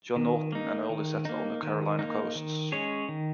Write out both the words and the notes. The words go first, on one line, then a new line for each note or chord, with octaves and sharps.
John Norton, an early settler on the Carolina Coast.
D#3
A#3 D#4
D#3
A#3 D#4
D#3
A#3 D#4
D#3
G#3 C#4 G#4 C#5
D#3